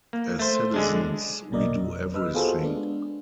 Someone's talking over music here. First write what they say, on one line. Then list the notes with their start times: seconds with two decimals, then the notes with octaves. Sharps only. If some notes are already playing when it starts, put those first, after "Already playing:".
As citizens we do everything.
0.13 A#3
0.39 A3 C5
0.74 D3 G#3 D4
1.51 A#1 B2 A#3 A#4 D5 D#5
1.80 F2
2.14 B4 D#5 E6 F6
2.34 B3 F4 F#4 G#4 A4 C5
2.62 G#3 B3 D4